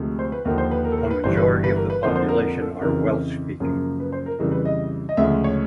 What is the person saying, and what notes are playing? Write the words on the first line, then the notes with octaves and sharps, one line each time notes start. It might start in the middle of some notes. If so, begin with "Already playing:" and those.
A majority of the population are Welsh-speaking.
Already playing: D2 C3 F3 G#3
C5
B4
D#2 D3 F3 A#4
C5
B4
A#4
A4
A#4
B4
G1 G2 E3 C5
B4
B4
A#4
B4
F2 D3 F3 A#3 C5
C5
A#4
A#4
A4
F2 C#3 E3 A#4
F#2 C#3 F3 A#3
B4
C5
A#4
F2 C#3 E3 G3 A#4
B4
D#5
D#5
D2 C#3 F3 G#3 E5
C#5